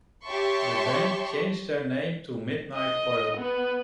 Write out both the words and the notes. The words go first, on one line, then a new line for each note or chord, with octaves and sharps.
The band changed their name to Midnight Oil.
G4 C#5 E5 A5 C6 C#6
D#5
B3 B4